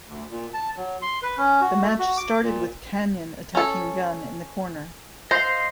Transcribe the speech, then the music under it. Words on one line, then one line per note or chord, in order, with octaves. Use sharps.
The match started with Kanyon attacking Gunn in the corner.
D2
A#2
A5
F#3
C6
B4
C#4
F#4
A3
F#4
D6
A#2
C#4 A4
C5 D#5 F5 C6